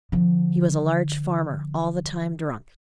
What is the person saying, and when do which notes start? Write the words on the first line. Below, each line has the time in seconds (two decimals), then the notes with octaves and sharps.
He was a large farmer, all the time drunk.
0.12 D3 F3